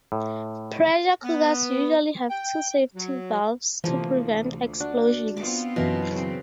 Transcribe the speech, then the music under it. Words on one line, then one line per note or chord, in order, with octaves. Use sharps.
Pressure cookers usually have two safety valves to prevent explosions.
A2
B3
G5
F#3
D2 C3 E3 F3 A#3
D4 F#4
B3 C4 F4 D6
F#2 B2 E3 F#3 A#4
C#3 C4